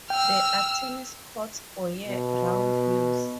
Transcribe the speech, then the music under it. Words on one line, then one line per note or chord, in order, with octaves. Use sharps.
There are tennis courts for year-round use.
G5 E6 F6
B2